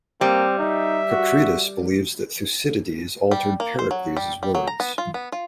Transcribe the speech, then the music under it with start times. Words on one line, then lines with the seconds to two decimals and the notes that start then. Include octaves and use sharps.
Kakridis believes that Thucydides altered Pericles words.
0.21 G3 A#3 C4
0.59 D#4 E5
1.11 F#4
3.31 G3
3.60 A#3
3.79 C5
3.91 F#3
4.17 G3
4.43 G3
4.55 F#3
4.67 A#5
4.80 B3
4.98 F4
5.14 B3
5.32 F4